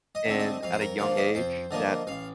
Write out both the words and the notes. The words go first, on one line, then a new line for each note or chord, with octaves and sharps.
And at a young age, that
D#5
D3 A3 C4
D#5
F2 F5
C5
A#4
D3 F3 A#3 F5
D#5
F2 C5
D3 F3 A#3 D#5
A1 F5